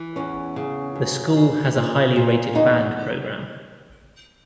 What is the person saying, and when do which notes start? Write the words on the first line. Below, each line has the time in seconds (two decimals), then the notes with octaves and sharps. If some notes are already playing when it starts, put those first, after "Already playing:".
The school has a highly rated band program.
Already playing: E3
0.16 E2 C#4
0.56 C#3
0.96 F#2
1.36 C#3
1.75 A#2
2.16 A#2
2.55 E2 D#4